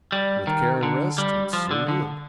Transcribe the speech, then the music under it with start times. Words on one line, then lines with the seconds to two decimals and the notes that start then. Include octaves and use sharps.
With care and rest, it soon healed.
0.12 G3
0.47 D#3
0.83 D3
1.18 G3
1.53 F3
1.71 D3
1.88 D3